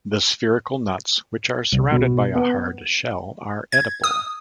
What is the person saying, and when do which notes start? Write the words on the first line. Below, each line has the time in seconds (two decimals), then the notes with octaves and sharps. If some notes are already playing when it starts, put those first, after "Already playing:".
The spherical nuts, which are surrounded by a hard shell, are edible.
1.73 C2
1.92 B2
2.35 B3
3.72 G#6
4.04 D#6